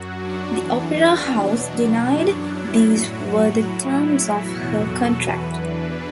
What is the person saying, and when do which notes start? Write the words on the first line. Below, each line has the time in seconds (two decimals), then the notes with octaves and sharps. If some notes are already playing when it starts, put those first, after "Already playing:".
The opera house denied these were the terms of her contract.
Already playing: F#2 F#3 F#4
0.15 D4
0.53 E2 E3 D4
1.30 E2 B2 F#3
2.07 F#2 F#3 D4
2.46 E4
2.83 A2 F#3 F#4
3.60 A2 F#3 E4
4.37 E2 B2 F#3 F#4
4.76 A4
5.14 E2 E3 B4
5.52 D4